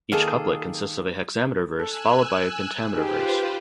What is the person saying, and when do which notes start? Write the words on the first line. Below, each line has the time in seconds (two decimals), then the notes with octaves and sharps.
Each couplet consists of a hexameter verse followed by a pentameter verse.
0.12 D#3 A#3 G#4 A4
1.80 A4 G#5 E6 F#6
2.96 D#4 F4 G4 G#4 B4 C5